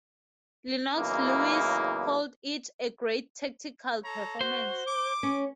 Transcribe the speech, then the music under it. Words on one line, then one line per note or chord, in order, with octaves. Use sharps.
Lennox Lewis called it "a great tactical performance".
E2 C#3 F#3 A#3 D#4 E4
A4 C#5 A#5
F#4 C5
D6
C#4